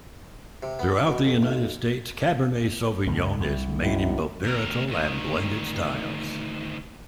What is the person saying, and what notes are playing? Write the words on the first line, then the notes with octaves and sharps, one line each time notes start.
Throughout the United States, Cabernet Sauvignon is made in both varietal and blended styles.
C3
B3
B2
F2
B1
C#2 G2 A#2
C2
F#2 D#3 E4
D2 A#4
D2 D#3